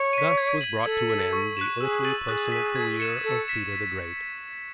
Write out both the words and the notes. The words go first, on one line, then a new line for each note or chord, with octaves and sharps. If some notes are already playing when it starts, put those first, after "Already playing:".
Thus was brought to an end the earthly personal career of Peter the Great.
Already playing: C#5
B6 D#7
G#6
B6 D#7 F#7
A4 G#6
B6 F#7
C#6
F#6 B6 E7
G#4 E6
A6 D#7 F#7
G#4 F#6
B6 D#7
G#6
C#7 E7
A4 G#6
B6 E7